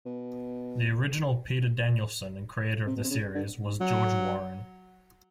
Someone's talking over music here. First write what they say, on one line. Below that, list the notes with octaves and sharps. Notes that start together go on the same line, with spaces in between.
The original "Peter Danielson" and creator of the series was George Warren.
B2
C3
B2
C3
C#3
D3
F#3